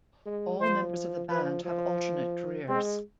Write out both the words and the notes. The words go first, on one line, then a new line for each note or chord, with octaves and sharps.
All members of the band have alternate careers.
G#3
F3 C5
F3 B4
F3
G#3 C4